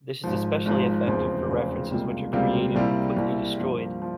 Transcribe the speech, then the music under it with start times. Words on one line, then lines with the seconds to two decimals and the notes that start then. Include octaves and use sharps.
This is especially effective for references which are created and quickly destroyed.
0.24 G#1 G#2 F3
0.65 G#1 G#2 F3
1.07 F1 E2 C#3 F3 C4
1.49 F1 E2 C#3 F3 C4
1.91 C#2 C3 G3 A#3 F4
2.33 C#2 C3 G3 A#3 F4
2.75 C2 C3 G3 A#3 E4
3.17 C2 C3 G3 A#3 E4
3.58 G2 F3 A#3
4.02 F3